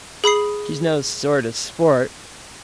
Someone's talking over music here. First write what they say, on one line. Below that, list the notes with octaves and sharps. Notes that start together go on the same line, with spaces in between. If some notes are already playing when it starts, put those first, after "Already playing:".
She's no sort of sport.
G#4 B5 D#6 C7